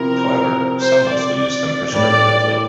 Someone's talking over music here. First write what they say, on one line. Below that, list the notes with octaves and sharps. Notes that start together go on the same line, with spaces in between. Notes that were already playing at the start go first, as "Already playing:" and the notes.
However, some also use them prescriptively.
Already playing: C3 F3 C4 E4 A#4
C5
D5
A2 E3 G3 D4 D5